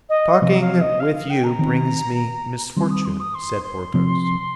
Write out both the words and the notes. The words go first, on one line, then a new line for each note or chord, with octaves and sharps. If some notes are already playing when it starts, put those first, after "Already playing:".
"Talking with you brings me misfortune," said Porthos.
D#5
C3 F3 C4 D#5
F5
D#5
F5
F5
G5
A#5
D#3 C4
D#3 G3 C4 C6
D#6
C6
D#6
C6
C6
C3 F3 C4